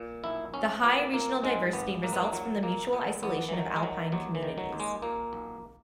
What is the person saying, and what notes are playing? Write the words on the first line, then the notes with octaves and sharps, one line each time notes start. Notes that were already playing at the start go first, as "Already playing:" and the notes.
The high regional diversity results from the mutual isolation of Alpine communities.
Already playing: A#2
B1 E4
B1 C#4
A#2 B3
A#2 A#3
G#2 G#3
G#1 B3
G#2 A#3
B3
A#3
A#2 F#3
A#2 A#3
A#2 B3
E2 B3
E3
D#3 F#3
G#3
D#3 F#3
D#2 F#3
E3
D#3
F#3
D#2
G#3
A#2 A#3
B1